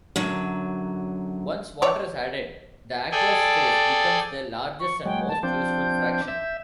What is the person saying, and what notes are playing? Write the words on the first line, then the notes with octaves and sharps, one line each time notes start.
Once water is added, the aqueous phase becomes the largest and most useful fraction.
F#2 D3 F#3
C#5 D5
G#4 A4 D5 G5 G#5
C#6
F#3 G#3 G5
A5
F3 C4 D4 G6
E5